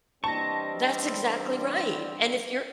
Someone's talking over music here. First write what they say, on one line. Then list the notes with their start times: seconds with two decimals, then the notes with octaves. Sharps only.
That's exactly right. And if you're
0.24 E3 G3 C4 D4 D#5 A5 C#6